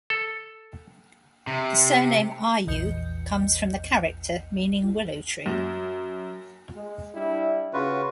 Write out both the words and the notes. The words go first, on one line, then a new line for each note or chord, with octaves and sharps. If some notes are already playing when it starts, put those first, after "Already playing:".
The surname "Ryoo" comes from the character meaning willow tree.
A4
C3
A#1 E2 D#5 G6 C#7
F#2
G#3
G3 D4 E4
C#3 F4 F#4 B4